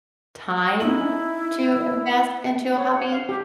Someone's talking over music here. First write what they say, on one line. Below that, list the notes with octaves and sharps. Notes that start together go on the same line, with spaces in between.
time to invest into a hobby.
D#4 E4 F#7
C#5
F#5
F5
G4